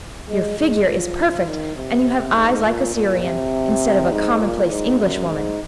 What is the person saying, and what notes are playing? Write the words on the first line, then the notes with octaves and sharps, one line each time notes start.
Your figure is perfect, and you have eyes like a Syrian, instead of a commonplace English woman.
G#3
G#3
F3
D#3
C3
G#2
A#2
A#2
C3
G#2
A#2
G#2
F#2
G#2